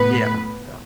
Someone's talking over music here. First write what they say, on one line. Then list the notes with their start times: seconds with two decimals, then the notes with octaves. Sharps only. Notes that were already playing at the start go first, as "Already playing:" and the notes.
Yeah, yeah.
Already playing: A2 B3 B4